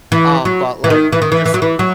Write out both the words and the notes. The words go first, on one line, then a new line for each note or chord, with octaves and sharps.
Um, but, like, you just
E3
F#3
E3
D#3
E3
D#3
E3
E3
F#3
E3
F#3